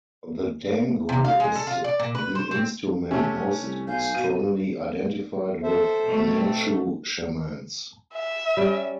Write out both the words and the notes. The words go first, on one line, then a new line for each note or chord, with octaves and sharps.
The "dangu" is the instrument most strongly identified with Manchu shamans.
C3
F5
G#3
A4
F4
D5
A#2
B4
C5
C4
C3 A3 C#4
C2
B1 F5 G#5 G6
B2 D#7
A4 C5 E5
B2 A3
C4
E5
G3 C#4